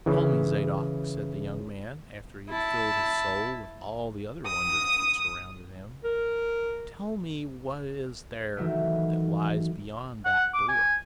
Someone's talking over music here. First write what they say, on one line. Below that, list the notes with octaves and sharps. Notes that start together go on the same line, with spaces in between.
"Tell me, Zadok," said the young man, after he had filled his soul with all the other wonders that surrounded him--"tell me what is there that lies beyond that door?"
C#3 E3
E4 A5
D#6
A#4
D#3 E3 F#3 A3
F#5
D6
G#5